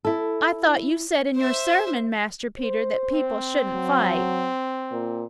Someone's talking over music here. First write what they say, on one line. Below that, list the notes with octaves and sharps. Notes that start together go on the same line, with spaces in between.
"I thought you said in your sermon, Master Peter, that people shouldn't fight."
E4 A4
C5 E5
C5
C4
F#3
A#2